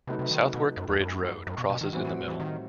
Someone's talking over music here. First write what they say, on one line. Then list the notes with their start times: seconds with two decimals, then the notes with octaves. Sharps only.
Southwark Bridge Road crosses in the middle.
0.07 C3 F#3 A3 D#4 F#4 B4
0.19 C3
0.31 D#3
0.42 C3
0.54 B2
0.77 F#2
0.89 E2
1.00 F#2
1.47 F#2
1.58 B2
1.70 B2
1.81 D#3
1.93 A2 E3 G3 C4 F#4
2.04 E3
2.28 E3
2.40 D#3